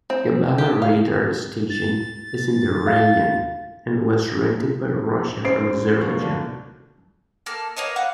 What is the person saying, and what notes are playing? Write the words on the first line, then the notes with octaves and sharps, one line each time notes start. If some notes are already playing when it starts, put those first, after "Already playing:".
Gabala Radar Station is in the rayon and was rented by Russia from Azerbaijan.
C4
G4
F5
A6
F5
F#2 C5 C7 D7
F3 F#4 A#4
A#2 D3
A#3 A4 F6
A#3 B3 C#5 D#5
F5 F#5 C#6